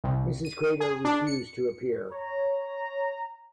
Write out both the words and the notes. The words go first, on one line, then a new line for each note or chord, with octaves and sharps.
Mrs. Crater refused to appear.
C2
D#7
G#4
D4
C#7
C#5 A#5